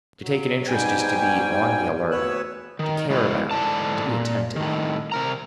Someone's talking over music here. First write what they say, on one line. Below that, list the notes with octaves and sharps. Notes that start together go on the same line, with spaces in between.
To take an interest is to be on the alert, to care about, to be attentive.
F#3
G#2 B2 G3 G5 G#5
D2 B3 B4 C#5 E6 F#6
D#3
G#3 E4 F#4
G#2 D3 E3 D4 A5
A#2
A2 D#3
C3 A#4 A#5